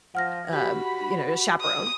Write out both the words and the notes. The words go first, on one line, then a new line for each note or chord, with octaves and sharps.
um, you know, a chaperone.
F3 F#5 F6 A#6
F#4 G4 B5
D#6